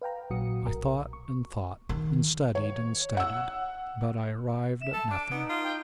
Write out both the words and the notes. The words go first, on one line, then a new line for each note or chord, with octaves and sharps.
I thought and thought and studied and studied; but I arrived at nothing.
B4 F5 G5 A#5
A#1 A#2 F#3 F#4 D#6 C#7
B1 A#4
C#6
D#3
C#5
F#5 E6
E5 E7
A4 A5
D4 D7
B3 D#4
F4
G5